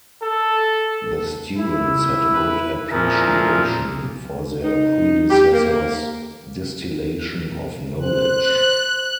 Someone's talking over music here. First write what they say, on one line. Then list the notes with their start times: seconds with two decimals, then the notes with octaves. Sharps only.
The students had a good appreciation for their predecessors' distillation of knowledge.
0.22 A4
1.57 E4
2.33 B4
2.90 A#2 F3 E4 G#4 A#4
4.64 D#4
5.31 G4
5.53 A#3
7.99 C5 F#6